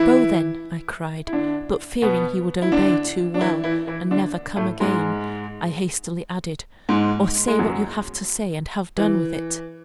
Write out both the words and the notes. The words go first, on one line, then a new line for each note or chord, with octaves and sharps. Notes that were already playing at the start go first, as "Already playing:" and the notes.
'Go then!' I cried; but, fearing he would obey too well, and never come again, I hastily added--'Or say what you have to say, and have done with it!'
Already playing: E3 E4
E4
D3 D4
B2 B3
E4
D3 D4
D4
E3 E4
E3 E4
E3 E4
D3 D4
A2 A3
G#2 G#3
G#2 G#3
G#3
F#2 F#3
E3